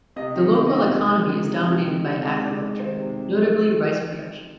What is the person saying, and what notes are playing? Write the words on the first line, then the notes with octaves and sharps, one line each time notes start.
The local economy is dominated by agriculture, notably rice production.
C3 D#5
D#3
D#3
D#5
C3
C3
G#3
D#3
C3
C3
D#3
C3
G#3
C3 D5
G#3
D#3 C5
C3